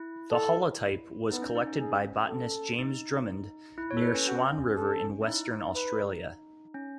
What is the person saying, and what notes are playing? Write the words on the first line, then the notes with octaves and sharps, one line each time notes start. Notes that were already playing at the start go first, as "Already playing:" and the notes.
The holotype was collected by botanist James Drummond near Swan River in Western Australia.
Already playing: E4
A4
B3 D#4
C#4
D#4
C#4
G#4
A4
D#4
E4
C#5
A4
B4
C#4
C#4 F#4
C#4
A4
E4
D#4
B4
C#4